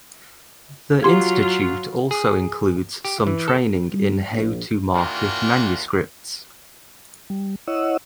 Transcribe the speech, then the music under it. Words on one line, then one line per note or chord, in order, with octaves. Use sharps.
The institute also includes some training in how to market manuscripts.
F#3 F4 G4 C6 G#6
G#4
G4
E3
A4
G3
A#1
D#3 E3 A#3 D4 F4 F#4
G3
E4 C#5 D#5 F#5 E6